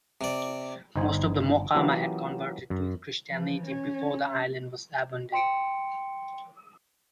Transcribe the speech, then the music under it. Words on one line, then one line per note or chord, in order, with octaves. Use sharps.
Most of the Mocama had converted to Christianity before the island was abandoned.
C3 D5
G1 D#4 C5 G#5
E3 F#3 A#3 C#4 F4 G4
F#2
E3 F3
C#4
G5 C6 C#7 D7